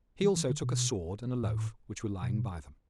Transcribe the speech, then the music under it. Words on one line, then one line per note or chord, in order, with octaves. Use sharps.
He also took a sword and a loaf, which were lying by them.
E3
E3
D3
B2
A2
B2